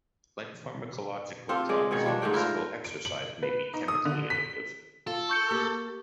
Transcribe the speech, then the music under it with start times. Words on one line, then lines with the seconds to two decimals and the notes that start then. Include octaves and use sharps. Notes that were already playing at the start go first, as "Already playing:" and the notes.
Like pharmacological drugs, physical exercise may be chemically addictive.
1.49 C4 F4 G4 A4
1.69 G#3 D5
1.91 G#2 B2 D#3 C#5
2.04 F3 G3 D4
2.22 G#2 D3 A3 G5
2.33 E4 F4 A#4 C5
2.84 D7
3.05 F#7
3.43 B4
3.74 D#4
3.88 D#6
4.05 D3
4.30 B6
5.07 F4 A4
5.29 C#6 G6 C#7
5.51 A#3 G4